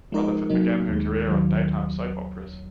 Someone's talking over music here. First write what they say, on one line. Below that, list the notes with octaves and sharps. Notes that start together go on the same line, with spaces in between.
Rutherford began her career on daytime soap operas.
F3 G#3 D#4 A#4
C3 F#3 A#3 D#4
D#2 D#3 G#3
D#2 D#3 F#3